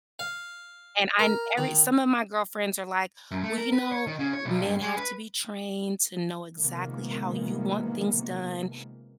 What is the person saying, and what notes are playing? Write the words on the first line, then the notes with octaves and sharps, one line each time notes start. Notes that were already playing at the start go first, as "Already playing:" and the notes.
and I every some of my girlfriends are, like, "Well, you know, men have to be trained to know exactly how you want things done."
F5
A#4
D#3
F#2
A3
A#4
B4
C#5
D#3
C#3
C#5
B1
G2
G#3
B4
C3 D#3 F3 G#3 A#3 B3